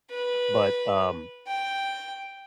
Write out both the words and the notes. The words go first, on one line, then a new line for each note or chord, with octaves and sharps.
But, um,
B4
G5